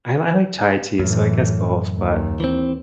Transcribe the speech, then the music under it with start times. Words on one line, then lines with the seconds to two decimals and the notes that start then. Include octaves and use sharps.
I li I like chai tea, so I guess both, but
1.00 F#2 A2 E3
1.96 D#2
2.40 E3 C4